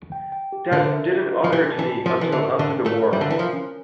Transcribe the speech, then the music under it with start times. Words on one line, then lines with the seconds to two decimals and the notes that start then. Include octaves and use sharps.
That didn't occur to me until after the war.
0.12 G5
0.32 G5
0.52 G4
0.72 D3 A#4
0.92 E5
1.12 G4
1.32 A#4
1.44 F3
1.52 E3 G4
1.72 A5
1.79 E3
1.92 A5
2.06 F3
2.12 A#4
2.21 E3
2.32 D3 E5
2.53 A#4
2.59 D3
2.73 C#4
2.86 A3
2.92 A#4
3.12 G3 E5
3.21 D3
3.31 E3 A#4
3.39 F3
3.53 C#4